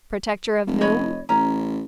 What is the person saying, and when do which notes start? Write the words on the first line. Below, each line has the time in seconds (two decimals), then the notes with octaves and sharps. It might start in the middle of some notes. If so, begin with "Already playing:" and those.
Protector of whom?
0.67 F1
0.81 C#5 D#5 B5
1.29 A1 C#4 A#5